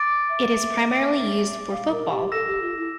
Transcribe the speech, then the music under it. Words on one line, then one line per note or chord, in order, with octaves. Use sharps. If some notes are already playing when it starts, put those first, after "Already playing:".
It is primarily used for football.
Already playing: D6 A6 D7
E5
F5
A#4
G4
A4 E6 A#6 E7
G4
F4
E4